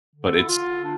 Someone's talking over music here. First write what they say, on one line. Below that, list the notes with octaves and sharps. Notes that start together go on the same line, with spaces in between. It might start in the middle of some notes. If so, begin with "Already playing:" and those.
but it's
D3
A4
E4
D3 F4
D4